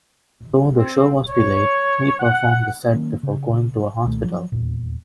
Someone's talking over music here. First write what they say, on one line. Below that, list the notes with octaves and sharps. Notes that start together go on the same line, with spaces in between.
Though the show was delayed, he performed the set before going to a hospital.
C4
C#5
F#5
D#3 F#3 A#3 C#4
C#3
C2 A#2 D#3 A3
F3 F#3
D#1 G#1 E2 A#2